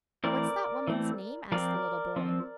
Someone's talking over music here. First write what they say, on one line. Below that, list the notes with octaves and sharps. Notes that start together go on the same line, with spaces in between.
"What's that woman's name?" asked the little boy.
E3 A3 C4 A#4 D5
E3 A3 C4
F3 C4 A#4 D5
F3 C4